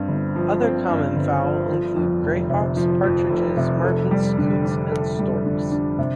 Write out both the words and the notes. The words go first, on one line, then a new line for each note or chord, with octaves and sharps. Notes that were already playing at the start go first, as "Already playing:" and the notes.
Other common fowl include grey hawks, partridges, martins, coots and storks.
Already playing: G2 C4
G1
F3
C4
G2
G1
F3
F3
F2
F1
C3
F3
F2
F1
C3
A4
G3
D3
D4
A4
G3
D3
D4
C3